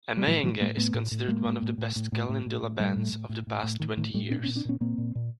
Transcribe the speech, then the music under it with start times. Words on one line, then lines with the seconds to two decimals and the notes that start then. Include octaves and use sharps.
Amayenge is considered one of the best kalindula bands of the past twenty years.
0.17 G3
0.27 A2 E3 F#3
0.43 A2 E3 F#3
0.60 A2 G#3 A#3
0.77 A2 A3 B3
0.94 A2
1.11 A2
1.28 A2 G#3 A#3
1.45 A2
1.62 A2
1.78 A2
1.96 A2
2.12 A2
2.29 A2
2.46 A2
2.62 A2
2.79 A2 G3 A3
2.96 A2
3.12 A2
3.29 A2
3.47 A2
3.63 A2
3.80 A2 D#3
3.97 A2 D#3
4.14 A2 G3 A3
4.30 A#2 C4 D4
4.43 B3 C#4
4.47 A#2
4.55 C4 D4
4.65 A#2 B3 C#4
4.80 A#2 A#3 C4
4.98 A#2
5.15 A#2